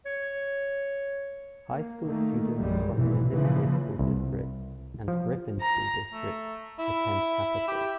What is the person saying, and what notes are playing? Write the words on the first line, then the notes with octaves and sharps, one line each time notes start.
High School students from the Olympia School District and Griffin School District attend Capital.
C#5
A#3
D#3 A3 A#3
A#1 F#2 G3 G#3
F1 B1 A#2 E3
A#2 C#3 E3 F3
C2
F3
A#5
A3
E4
G4